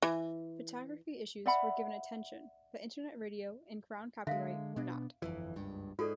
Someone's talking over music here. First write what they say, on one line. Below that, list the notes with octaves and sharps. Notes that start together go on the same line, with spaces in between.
Photography issues were given attention but Internet radio and Crown copyright were not.
E3
D5 E5 F#5 B5
D3 G#3 E5 F5
B2 B3 D4
G1 F2 E3
F#1 C#2 G2
G#2 F4 A4 D5